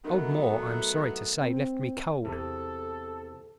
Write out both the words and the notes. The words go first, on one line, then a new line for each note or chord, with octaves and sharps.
Old Moore, I am sorry to say, left me cold.
F#3 A3 B3 D#4 A#4
C4
E2 C3 A4